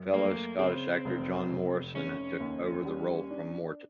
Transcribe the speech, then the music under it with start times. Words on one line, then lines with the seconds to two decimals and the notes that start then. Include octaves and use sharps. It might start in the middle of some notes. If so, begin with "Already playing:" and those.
Fellow Scottish actor Jon Morrison took over the role from Morton.
Already playing: F#2
0.14 A3 A#3
0.59 C#3 C4
1.05 F1
1.50 F1
1.95 F1 C#4
2.40 D#2
2.85 G3
3.31 D4